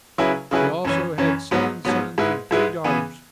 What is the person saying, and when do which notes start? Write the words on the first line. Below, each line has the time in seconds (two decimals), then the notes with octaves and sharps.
He also had seven sons and three daughters.
0.18 C#3 F#3 E4 G#4 B4
0.51 C#3 F#3 E4 G#4 B4
0.85 F#2 E3 C#4
1.18 F#2 E3 C#4
1.51 G#2 F#3 B3
1.85 G#2 F#3 B3
2.18 G#2 G#3 E4 B4
2.51 G#2 G#3 E4 B4
2.84 C#3 E3 B3 G#4